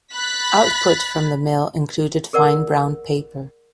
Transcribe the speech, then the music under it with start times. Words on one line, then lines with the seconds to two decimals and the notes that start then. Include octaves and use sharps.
Output from the mill included fine brown paper.
0.11 B5 F#6 A6 B6
2.33 G#4 A#4 D5 F#5 E6